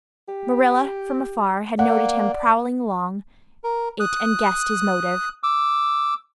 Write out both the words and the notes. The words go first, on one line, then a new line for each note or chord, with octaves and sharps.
Marilla from afar had noted him prowling along it and guessed his motive.
G4
A#3 D5 F#5
A#4
D#6 F#6
D6 E6